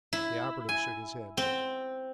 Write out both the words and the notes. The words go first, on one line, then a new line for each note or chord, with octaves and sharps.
The operative shook his head.
E4
G#5
C4